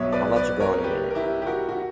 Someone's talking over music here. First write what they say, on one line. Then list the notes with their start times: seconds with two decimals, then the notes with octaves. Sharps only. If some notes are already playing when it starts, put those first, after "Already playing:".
I'll let you go in a minute.
Already playing: B1 B2 F#3 C#5 E5
0.12 B4 D5
0.36 B4 D5
0.60 A#4 C#5
0.84 G4 B4
1.11 A#4
1.15 E4 G4
1.42 G4
1.47 F#4 A#4
1.69 F#4